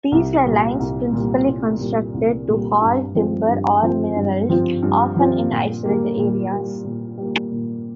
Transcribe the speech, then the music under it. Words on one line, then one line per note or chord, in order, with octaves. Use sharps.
These were lines principally constructed to haul timber or minerals, often in isolated areas.
C2
A#2 G3
C2
A#2 G3
C2
A#2 G3
C2
A#2 G3
G2
F3 C4 F4
G2
F3 C4 F4
G2
F3 C4 F4
G2
F3 C4 F4
A#2
G3 A#3
A#2
G3 A#3
A#2
G3 A#3
A#2